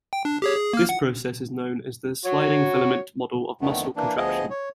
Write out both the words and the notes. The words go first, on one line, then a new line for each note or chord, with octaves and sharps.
This process is known as the sliding filament model of muscle contraction.
G5
D4
G4 G#4 C#5
G#4
A#3 F6
F#5
F#4 C#5
F2 D3 D#3 A3 B3
E3 A#3 D4
D2 F3 B3 G#4 D#5
C#5